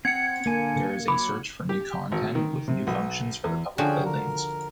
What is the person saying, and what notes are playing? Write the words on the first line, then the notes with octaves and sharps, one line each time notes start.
There is a search for new content with new functions for the public buildings.
C4 F#5 G#6 C#7
D3 A#3 G#5
F#3 B5 D6
G4
G#1
D#3
C3
B1
E2
D3 F3 C#4 F#4 G#4 G5
A#4